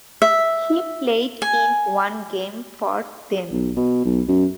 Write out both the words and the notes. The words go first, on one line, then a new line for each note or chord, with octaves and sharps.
He played in one game for them.
E5
G#5
B1
B2
B1
F#2